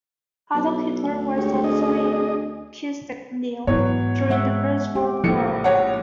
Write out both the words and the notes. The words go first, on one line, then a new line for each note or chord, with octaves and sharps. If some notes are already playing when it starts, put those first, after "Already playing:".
Adolf Hitler was also in Kyustendil during the First World War.
B1
D2
G#3 G4 C#5
D4 G#4 D#5
G#2 E3 F#3 B3 C#5
G#3 E5 F#5
G4
A#1 A2 C#3 F3 E4 C#7
C#5 F#5